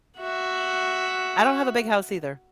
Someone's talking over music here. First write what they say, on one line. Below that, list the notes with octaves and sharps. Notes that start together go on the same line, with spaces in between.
I don't have a big house either.
F#4 E5